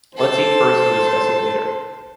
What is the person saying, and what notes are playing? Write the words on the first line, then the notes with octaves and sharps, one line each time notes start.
Let’s eat first and discuss it later.
A4 C5